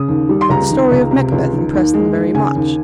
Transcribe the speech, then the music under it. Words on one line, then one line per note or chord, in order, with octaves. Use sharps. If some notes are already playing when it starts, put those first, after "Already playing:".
The story of Macbeth impressed them very much.
Already playing: C#3 D#6
D#2
G3
C6
C#2 A#5
D#3
C#2
C3
C#2
D#3
D#2
G#3
D#2
C#3 G#5
D#2